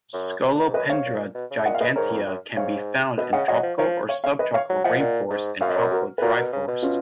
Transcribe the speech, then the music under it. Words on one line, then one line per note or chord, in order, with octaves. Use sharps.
"Scolopendra gigantea" can be found in tropical or sub-tropical rainforest and tropical dry forest.
F#2
B2
A#2
G#2
F#2 B4 D#5
G#2 C#5 F5
A#2
B2
C#3
A#2 D#5 F#5
F5
B4 D#5
G#2 A#4 C#5
F2
F#2
G#2 C#5 F5
B2 B4 D#5
C#3 D#5 F#5
F#3 D#5 F#5
F3
F3 C#5 F5
C#5 F5
C#5 F5
B4 D#5
C#5 F5
F#3
F3 D#5 F#5
A#2
G#2
F#2 C#5 F5
D#5
A#4 C#5
F#4 A#4
B4
A#2 F#4 A#4
B2
C#3
B2
C#4 F4